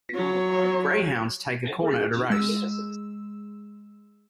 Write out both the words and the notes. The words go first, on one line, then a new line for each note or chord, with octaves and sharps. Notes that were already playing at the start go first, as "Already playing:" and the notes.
Greyhounds take a corner at a race.
F#3 C#5
G#4
G#3 E6